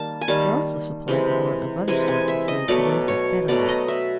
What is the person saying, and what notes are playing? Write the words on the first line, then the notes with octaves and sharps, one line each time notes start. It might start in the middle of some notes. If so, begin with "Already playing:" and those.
It also supplied the want of other sorts of food to those that fed on it.
Already playing: D#3 G3 A#3 A5
G#5
D#3 G3 A#3 A5
C3 E3 G#3
C3 E3 G#3 G#5
G#5
E5
D#5
B2 F#3 A3 D5
C#5
B2 F#3 A3 D5
D#5
E5